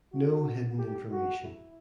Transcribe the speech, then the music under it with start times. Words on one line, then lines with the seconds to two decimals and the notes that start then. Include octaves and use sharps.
No hidden information.
0.13 F#4
0.78 G4
1.11 F#4
1.44 E4